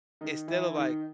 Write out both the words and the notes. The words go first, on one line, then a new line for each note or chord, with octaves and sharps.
instead of, like,
D#3 D#4
E3 E4
D#3 D#4